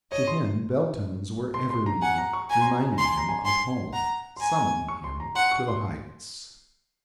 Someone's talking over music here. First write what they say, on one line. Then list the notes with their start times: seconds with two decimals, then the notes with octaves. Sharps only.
To him bell tones were ever ringing, reminding him of home, summoning him to the heights.
0.12 C#5 D#5
0.27 C6
1.54 C6
1.70 C6
1.86 A#5
2.02 F#5 G#5
2.18 A#5
2.33 C#6
2.50 G#5 A#5
2.61 C6
2.66 A#5
2.81 G#5
2.93 A#5 C6
3.05 G#5
3.18 A#5
3.29 G#5
3.45 G#5 C6
3.93 F#5 A#5
4.37 C6
4.40 G#5 A#5
4.88 C#6
5.04 C6
5.20 A#5
5.35 F#5 C6
5.52 C#6
5.68 C6